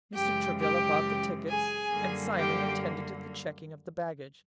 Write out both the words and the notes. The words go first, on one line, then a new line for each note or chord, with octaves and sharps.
Mr. Travilla bought the tickets, and Simon attended to the checking of the baggage.
F#2 C#3 E3 G#3 G4 G5
G4 G5
G#4 G#5
F#2 D3 G3 A#3
G4 G5